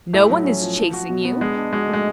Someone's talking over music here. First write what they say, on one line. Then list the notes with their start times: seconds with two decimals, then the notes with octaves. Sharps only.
No one is chasing you.
0.13 A2 A3
0.30 F#3
0.45 C#4
0.61 F3
0.77 F3
0.93 F#4
1.09 B2
1.25 B3
1.41 G#3 D4
1.57 D4
1.73 G#3 F#4
1.89 G#3 A3